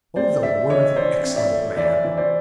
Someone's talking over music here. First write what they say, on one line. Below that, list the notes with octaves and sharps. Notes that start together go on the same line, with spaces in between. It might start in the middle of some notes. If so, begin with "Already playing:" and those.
Oh, the worthy, excellent man!
C4 C5 D5
A3 D5 E5
E3 C#5 D#5
E3 C5 D5
C4
D5 E5
A3
E3 D5 E5
E3
C5 D5